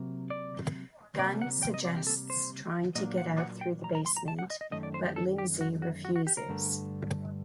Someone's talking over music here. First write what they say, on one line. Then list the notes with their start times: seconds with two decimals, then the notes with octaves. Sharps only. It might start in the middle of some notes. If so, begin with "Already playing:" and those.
Gunn suggests trying to get out through the basement, but Lindsey refuses.
Already playing: C3 F#3 A#3
0.30 D5
1.19 C3 G3 A#3 D5
1.42 F#5
1.63 G5
1.74 D#5
1.85 D5
1.96 G4
2.07 A4
2.30 C5
2.95 A#2 F#3 A#3 D4 D#5
3.18 F#5
3.40 F#5
3.61 G5
3.84 A#5
3.95 A#5
4.06 C6
4.17 A#5
4.28 A5
4.39 F#5
4.50 D#5
4.61 D#5
4.71 F#2 D#3 A3 D#5
4.83 D5
4.94 C5
5.05 G4
5.16 A4
5.38 G4
5.61 F#4
5.82 F#4
6.05 F#4
6.16 F#4
6.27 G4
6.37 A#4
6.49 G2 D3 A3